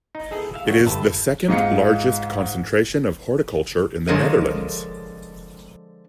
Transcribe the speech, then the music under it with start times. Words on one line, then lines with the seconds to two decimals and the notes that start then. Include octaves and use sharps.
It is the second largest concentration of horticulture in the Netherlands.
0.15 D#4
0.31 B3 E4 G#4 A4
0.54 E5 F5
0.67 A3 A#3 C#4 D4 F#4 G#4
0.86 G1 G2 B4 E5 A5
1.48 G#2 D#4 F4 C#7
4.07 D3 F3 G#3 A#4 C#5 D#5